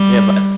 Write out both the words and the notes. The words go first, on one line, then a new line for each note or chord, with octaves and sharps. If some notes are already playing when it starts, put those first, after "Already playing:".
Yeah, but
Already playing: G3